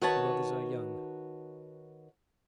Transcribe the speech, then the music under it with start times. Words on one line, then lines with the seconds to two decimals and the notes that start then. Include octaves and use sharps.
You others are young.
0.02 D#3 F#4 B4 C#5 A5